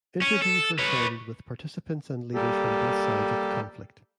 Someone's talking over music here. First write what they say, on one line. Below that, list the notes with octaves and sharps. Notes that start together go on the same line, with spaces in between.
Interviews were filmed with participants and leaders from both sides of the conflict.
C#4
A4
B4 C#5
G3 A#3 G4 A4